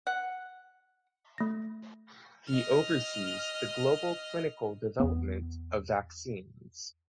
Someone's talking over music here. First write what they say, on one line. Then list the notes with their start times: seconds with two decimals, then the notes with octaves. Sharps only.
He oversees the global clinical development of vaccines.
0.07 F#5
1.38 A3 A#6
2.49 D#5 F6
5.00 E2 B3